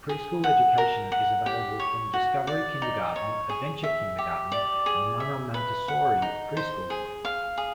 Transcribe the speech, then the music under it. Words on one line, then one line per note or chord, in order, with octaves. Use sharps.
Preschool education is available from Discovery Kindergarten, Adventure Kindergarten and Mana Montessori Preschool.
G#4
F#5
A#4
F#5
G4
C#5
F#4
D5
D#4
C#5
G#4
E5
G4
D5
G#4
E5
B4
F#5
D#4
C5
G#4
F5
G#4